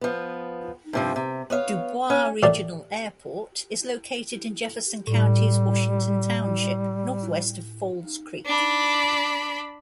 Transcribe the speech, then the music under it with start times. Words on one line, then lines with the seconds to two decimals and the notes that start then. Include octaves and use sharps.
DuBois Regional Airport is located in Jefferson County's Washington Township, northwest of Falls Creek.
0.01 F3 B3
0.93 G2 C3 F3
1.16 C3
1.50 B3 C#5 E5 F5
2.10 C#4
2.43 A1 A#2 A3 F4 A#4 D5
5.07 A2 G3
8.46 D4 B5